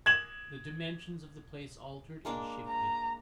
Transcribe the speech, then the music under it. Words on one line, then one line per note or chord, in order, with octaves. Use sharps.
The dimensions of the place altered and shifted.
G#6 E7 F#7
G#3 A#3 D4
A#5